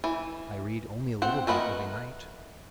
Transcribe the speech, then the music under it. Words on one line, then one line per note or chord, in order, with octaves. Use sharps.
I read only a little bit every night.
E3
C4 F#5
A3 A#4 B4 D#5 F#5